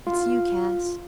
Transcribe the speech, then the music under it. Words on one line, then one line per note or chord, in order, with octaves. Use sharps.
Hit's you, Cass.
F4